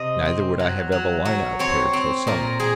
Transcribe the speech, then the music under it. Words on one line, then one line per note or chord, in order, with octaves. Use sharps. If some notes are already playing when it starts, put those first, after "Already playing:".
Neither would I have Evelina appear till summoned.
Already playing: C3 D#5
C4
F#3
F#3
F#3
C4 C#5
C4
A#2 A#4
A#2 G#4